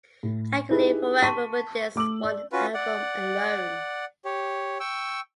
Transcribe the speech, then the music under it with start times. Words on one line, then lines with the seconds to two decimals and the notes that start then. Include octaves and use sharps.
I could live forever with this one album alone.
0.23 A2
0.70 D#4 E4 G4 G#4 B4
1.23 A5 C6 C#6 B6 D#7
1.96 A3 D6 E6 F#7
2.23 D5
2.52 C#4 F4 F#4 B4
2.74 D5 F#5
4.25 G4 C#5
4.80 G5 C#6 E6